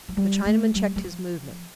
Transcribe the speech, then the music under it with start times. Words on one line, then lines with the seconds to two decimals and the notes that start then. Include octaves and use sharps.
The Chinaman checked his movement.
0.08 F3
0.17 G3
0.46 A3
0.75 G3
0.96 G3
1.04 F3